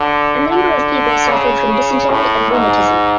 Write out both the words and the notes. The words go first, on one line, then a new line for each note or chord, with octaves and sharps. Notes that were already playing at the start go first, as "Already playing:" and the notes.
A number of people suffered from dysentery and rheumatism.
Already playing: D3
D3
C#3
A2
G#2